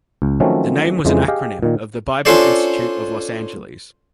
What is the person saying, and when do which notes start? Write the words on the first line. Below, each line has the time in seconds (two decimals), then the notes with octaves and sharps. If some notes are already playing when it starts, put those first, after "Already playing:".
The name was an acronym of the "Bible Institute of Los Angeles".
0.22 C#2
0.40 D#3 F3 F#3 A3 C4 C#4
1.05 F2 C#3 E3 G#3
1.28 G4 G#4 D#5 F5 G5
1.63 A#2 D#3
2.25 C#4 D4 F4 A4 C5 D5